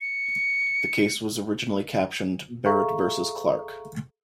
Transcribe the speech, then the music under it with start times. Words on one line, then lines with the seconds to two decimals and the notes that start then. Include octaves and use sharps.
The case was originally captioned "Barrett versus Clark".
0.01 C#7
2.66 G#4 A4 E5 F5 A#5 C#6